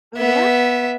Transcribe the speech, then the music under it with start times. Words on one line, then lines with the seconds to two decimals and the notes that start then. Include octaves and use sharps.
Oh, yeah?
0.18 B3 E5